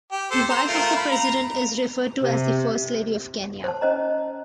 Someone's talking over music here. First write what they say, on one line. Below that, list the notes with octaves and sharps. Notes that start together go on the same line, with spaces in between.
The wife of the President is referred to as the First Lady of Kenya.
G4
A4 C5
C5 A#5 C6
A3 F4 A#4
B5
A#5
C3
C5 A5
C#4 C5 D#5 A#5